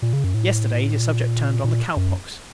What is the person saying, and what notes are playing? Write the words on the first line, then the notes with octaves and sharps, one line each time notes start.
Yesterday, the subject turned on the cow-pox.
A#2
C#3
F#2
A2
A#2
A#2
F#2